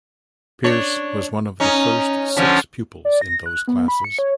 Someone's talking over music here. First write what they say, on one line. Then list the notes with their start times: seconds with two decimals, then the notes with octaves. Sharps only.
Pearse was one of the first six pupils in those classes.
0.64 D4 C#5
1.60 C#4 D#4
2.36 D3 F3 C#4
3.05 D5
3.21 A#6
3.46 F#6
3.68 B3
3.88 B5
4.04 C#7
4.19 C#5